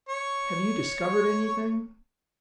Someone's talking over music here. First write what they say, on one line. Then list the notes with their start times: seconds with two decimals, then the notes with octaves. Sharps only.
"Have you discovered anything?"
0.09 C#5 C#6